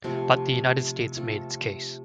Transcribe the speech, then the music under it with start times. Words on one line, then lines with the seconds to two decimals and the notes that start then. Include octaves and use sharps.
But the United States made its case.
0.04 C3 F3 A3 C4
1.16 A3 C4 F4 A4